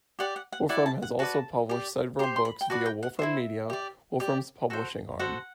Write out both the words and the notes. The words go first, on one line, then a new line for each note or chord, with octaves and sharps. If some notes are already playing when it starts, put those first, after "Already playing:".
Wolfram has also published several books via Wolfram Media, Wolfram's publishing arm.
G4 D5 F#5
F#5
F#5
E4 A4 D5 F#5
A5
F#5
F#4 B4 D5 A5
G4 D5
G4 C5 C6
C6
B5
G5
F#4 B4 D5 A5
G5
F#5
E4 A4 C5 E5
G4 D5
G4 D5
F#4 A4 C5
F#4 A4 C5 F#5